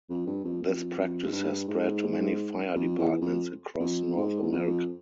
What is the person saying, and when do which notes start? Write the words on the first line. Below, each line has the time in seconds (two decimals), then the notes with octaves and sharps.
This practice has spread to many Fire Departments across North America.
0.10 F2
0.27 G2
0.44 F2
0.62 F2
0.97 F2
1.25 G#2
1.32 G2
1.68 G#2
2.75 F2
2.98 E2
3.12 E2
3.21 F2
3.80 F2
4.16 G#2
4.42 E2
4.52 F2